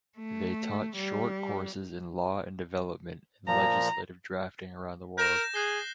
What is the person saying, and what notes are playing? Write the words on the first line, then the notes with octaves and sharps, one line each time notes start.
They taught short courses in law and development and legislative drafting around the world.
A3
G3
A#2 F3 A#5
A#4 G6 A#6 E7
G#4 F#6 C7 G7